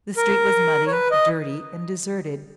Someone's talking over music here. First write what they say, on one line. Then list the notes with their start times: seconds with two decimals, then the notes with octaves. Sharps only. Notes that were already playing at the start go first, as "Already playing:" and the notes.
The street was muddy, dirty, and deserted.
0.17 A#4
0.87 C#5
0.91 B4
1.11 D#5